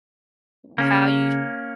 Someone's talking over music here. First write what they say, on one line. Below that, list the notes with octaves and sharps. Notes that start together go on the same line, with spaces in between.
W how you
C#3 A#3 C#4